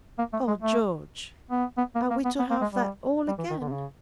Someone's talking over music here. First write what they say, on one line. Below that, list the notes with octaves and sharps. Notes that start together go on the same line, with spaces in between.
"Oh George, are we to have that all again?"
A#3
A3
G#3
A3
B3
B3
A#3
A#3
B3
B3
A#3
G#3
G3
G3
E3
D#3
D3
C3
C#3